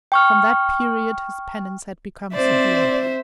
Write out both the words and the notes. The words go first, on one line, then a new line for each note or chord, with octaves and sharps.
From that period his penance had become severe.
G5 C#6 F6
C4 C5 D5 E5